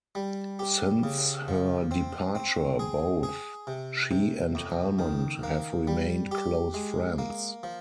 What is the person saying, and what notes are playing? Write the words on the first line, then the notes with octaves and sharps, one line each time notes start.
Since her departure, both she and Helmond have remained close friends.
G3
G4
C#3
F3
C4
C4
G#4
G#4
C3
C3
F2
D#3
A#3
G3
G4
G#3
A#3
F3